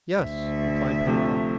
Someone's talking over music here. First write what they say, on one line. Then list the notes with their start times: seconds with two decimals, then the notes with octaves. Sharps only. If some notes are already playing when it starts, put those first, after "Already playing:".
"Yes," replied Pencroft.
0.19 D2 E5
1.07 C3 F3 A3